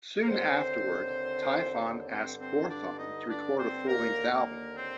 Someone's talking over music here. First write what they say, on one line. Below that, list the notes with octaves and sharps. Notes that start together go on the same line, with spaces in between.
Soon afterward, Tyfon asked Quorthon to record a full-length album.
A#4
D#2 D3 C4 C5
G2 D3 C4 C5
C4 C5
D4 D5
D#4 D#5
D4 D5
C4 C5
D#2 D3 A#3 A#4
A#3 A#4
C4 C5